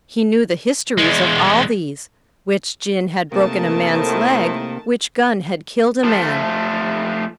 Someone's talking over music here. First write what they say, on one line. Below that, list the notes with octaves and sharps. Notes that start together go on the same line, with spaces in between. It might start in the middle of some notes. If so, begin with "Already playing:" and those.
He knew the histories of all these--which gin had broken a man's leg, which gun had killed a man.
E2 G#3
C3 D#3 A3 A#3 A#4 A5
A2 C5
F3 A3